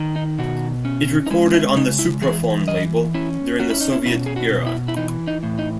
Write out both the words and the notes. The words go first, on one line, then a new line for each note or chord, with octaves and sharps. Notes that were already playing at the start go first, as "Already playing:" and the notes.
It recorded on the Supraphon label during the Soviet era.
Already playing: D#3
D#4
B2 F#4
C#4
D#4
G#3 E4
E4
C#3 D#4
E4
E3 G#4
E3 D#5
C#4 E4
C#4 F#4
E4
D#4
E4
B2 E4
G#4
F#4
B2
E4
E4
E3 D#4
D#4
A2
D#4